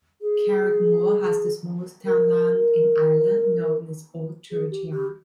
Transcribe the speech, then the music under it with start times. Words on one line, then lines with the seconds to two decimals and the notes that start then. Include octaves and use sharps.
Carrickmore has the smallest townland in Ireland known as Old Church Yard.
0.21 G#4
2.06 A#4
4.51 G#4
4.71 G4
4.92 G4